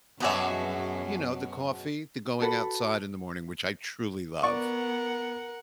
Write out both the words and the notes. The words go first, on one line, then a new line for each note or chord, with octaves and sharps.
um, you know, the coffee, the going outside in the morning, which I truly love.
F#2 B2 B3 F#4 G#4 C#5 E5
F#4 A4 B4
B3 A#4 D5 F#5 C#6